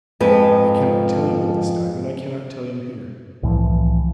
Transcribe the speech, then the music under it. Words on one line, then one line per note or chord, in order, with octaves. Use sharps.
But I cannot tell you at this time, and I cannot tell you here.
F2 G#2 F3 B4
C2 A2 E3 F3